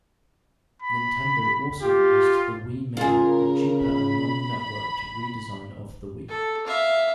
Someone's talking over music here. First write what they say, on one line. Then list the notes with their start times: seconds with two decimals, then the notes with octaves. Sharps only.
Nintendo also released the Wii Mini, a cheaper and non-networked redesign of the Wii.
0.82 B5
1.82 F4 G4
2.97 C#3 F4 G#4 A#4
3.84 B5
6.29 A4
6.66 E5 F5